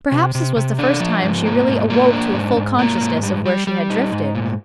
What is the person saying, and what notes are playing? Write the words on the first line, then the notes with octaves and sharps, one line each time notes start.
Perhaps this was the first time she really awoke to a full consciousness of where she had drifted.
C3
C3
C3
D4
F3
G#2
A#3
G#2
A#3
D4
G#2
G#2
A#3
G#2
G3
G3
G3
D#4
G#2
A#2